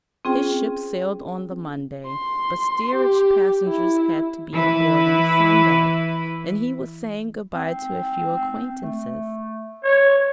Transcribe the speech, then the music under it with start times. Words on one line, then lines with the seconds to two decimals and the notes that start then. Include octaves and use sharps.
His ship sailed on the Monday, but steerage passengers had to be aboard on Sunday, and he was saying good-bye to a few acquaintances.
0.25 C4 C#4 F4 G#4 C5 G5
2.07 C6
2.95 G4
3.67 E4
4.53 E3 E4 B4
7.54 C4
8.82 A3
9.84 C#5